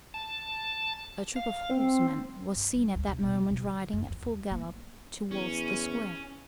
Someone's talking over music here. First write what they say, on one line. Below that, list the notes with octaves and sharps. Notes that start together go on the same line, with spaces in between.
A troop of horsemen was seen at that moment riding at full gallop towards the square.
A5
F5
C4
G2
G3
D2
B2
B2
D#2
B2
D3
F#2
E2
D4
A#3
E2 C#4